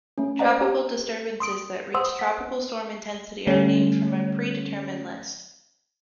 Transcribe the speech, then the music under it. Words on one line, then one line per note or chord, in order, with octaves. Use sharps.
Tropical disturbances that reach tropical storm intensity are named from a pre-determined list.
A3 C#4
C5 D5 D#5 F#5 A#5
G4 A#5
C6 D#6 D7
C5 F#5 C6 D#6 E6
F#5 B6
D3 G3 A3 C#4